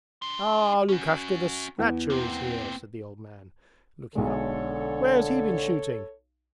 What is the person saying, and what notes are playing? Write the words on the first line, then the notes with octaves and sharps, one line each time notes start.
'Ah! Lukashka the Snatcher is here!' said the old man, looking up. 'Where has he been shooting?'
D4 C6
C#4 F#4
E2
A#3 C4
B1 D3 G#3 A4 C#5